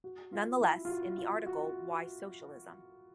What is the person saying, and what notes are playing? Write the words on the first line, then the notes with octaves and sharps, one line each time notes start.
Nonetheless, in the article Why Socialism?
F#4
F4
E4
F4
F#4
F4
F#4